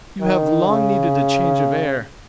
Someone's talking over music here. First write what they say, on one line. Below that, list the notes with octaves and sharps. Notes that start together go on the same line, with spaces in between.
You have long needed a change of air.
D#3
C#3